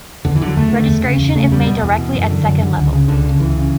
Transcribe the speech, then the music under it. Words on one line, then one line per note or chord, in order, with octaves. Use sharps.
Registration is made directly at second-level.
E2 D3
E3
D3 F#3
E2 A3
D3
E2
C#3
E2
C#3 A3
E2 G3
B2
E2 E3
B2
F#2
D3
F#2
D3
C#2
C#3
C#2 D3
C#3
C#2 E3
C#3